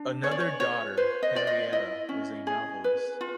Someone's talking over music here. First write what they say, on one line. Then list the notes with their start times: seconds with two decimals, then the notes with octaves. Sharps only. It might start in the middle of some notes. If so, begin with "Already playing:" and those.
Another daughter, Henrietta, was a novellist.
Already playing: D4
0.23 G#4 C#5
0.31 D5
0.40 C#5
0.60 F4 C#5
0.97 B4 C5
1.23 D#5
1.35 F4 D5
1.47 D#5
1.73 E4 D#5
2.09 C#4
2.47 G#4
2.84 B4
3.21 F4